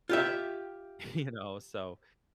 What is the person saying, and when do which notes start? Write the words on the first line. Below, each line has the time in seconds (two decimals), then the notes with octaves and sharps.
you know? So,
0.09 F4 G4 E5